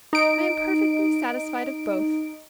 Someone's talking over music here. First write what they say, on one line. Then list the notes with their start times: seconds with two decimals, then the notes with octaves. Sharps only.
"I am perfectly satisfied of both."
0.13 D#4 D7